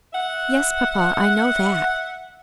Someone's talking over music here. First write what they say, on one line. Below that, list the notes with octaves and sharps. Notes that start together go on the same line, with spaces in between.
"Yes, papa, I know that."
E5 F#5